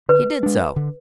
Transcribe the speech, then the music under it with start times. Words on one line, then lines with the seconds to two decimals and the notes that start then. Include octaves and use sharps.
He did so.
0.09 D3 B4
0.43 G#3 D4
0.76 D3